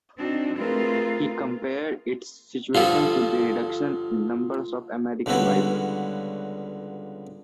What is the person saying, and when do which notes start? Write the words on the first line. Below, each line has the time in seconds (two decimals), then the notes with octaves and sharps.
He compared its situation to the reduction in numbers of American bison.
0.19 C4 D4 D#4 F#4
0.57 A3 C4 F4 G#4 A#4 B4
2.75 G2 D3 F3 F4 A4
5.26 C#2 D3 G3 B3 E4 F#4